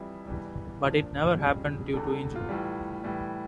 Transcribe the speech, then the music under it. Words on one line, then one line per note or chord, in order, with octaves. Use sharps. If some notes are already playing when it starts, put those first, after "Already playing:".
But it never happened due to injury.
Already playing: F2 E3 G3 E4
E2 E3 G3
A#2 F3 D4
F2 C#3 G3
E2 D3 G3 A4
A4
F4
A2 E3 G3
A2 E3 G3